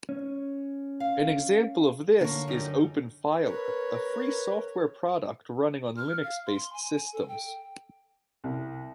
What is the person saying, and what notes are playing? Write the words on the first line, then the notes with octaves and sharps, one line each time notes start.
An example of this is Openfiler, a free software product running on Linux-based systems.
C#4
F5
D3 A#3 C#5
F#2 G3 D#4
A#4 B4 C#5
F6
F5
C6
G#5
A4
G5
C2